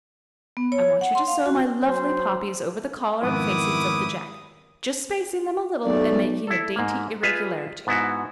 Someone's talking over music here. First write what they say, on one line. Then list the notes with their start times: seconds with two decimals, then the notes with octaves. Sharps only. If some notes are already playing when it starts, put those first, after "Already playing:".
I want you to sew my lovely poppies over the collar and facings of the jacket, just spacing them a little and making a dainty irregularity.
0.57 B3
0.72 C#5
1.01 F#5
1.15 C6
1.28 F5
1.46 F#4
1.82 F#3 C5
3.22 F2 G#2 D#3 B3 E4 D6 D#6
5.85 B1 A3 D5
6.47 E4 A4
6.76 G#2 A#3
7.23 F4 G#4 B4 E5 F5
7.87 G#2 B3 E4 F#4